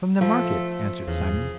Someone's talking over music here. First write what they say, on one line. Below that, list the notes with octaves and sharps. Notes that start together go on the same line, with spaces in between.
'From the market,' answered Simon.
F3 A3
E2 C#3